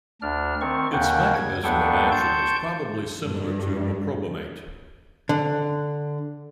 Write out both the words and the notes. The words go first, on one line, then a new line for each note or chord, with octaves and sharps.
Its mechanism of action is probably similar to meprobamate.
D2 D4 F6
D#3 C4 C#6
D#2 C#3 A#3 F#5 G5
G#6
D#2 B3 D4 A4 G5 C#6
G5 A5 C6 C#6 G6
G2
D3